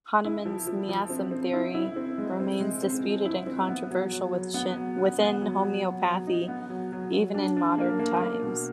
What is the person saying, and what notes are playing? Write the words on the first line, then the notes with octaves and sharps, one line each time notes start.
Hahnemann's miasm theory remains disputed and controversial within homeopathy even in modern times.
E4
F3
F3
F3
C4
C4
E4
E4
C4
G#3
C4
G#3
C4
F3
E4
C4
B3
F#3
F#3
F#3
B3
F#3
B3
B3
F#3
F#3
F#3
F#3
D#4
B3
F#3
F#3
F#3
D4
D4
A#3
A#3
A#3
B2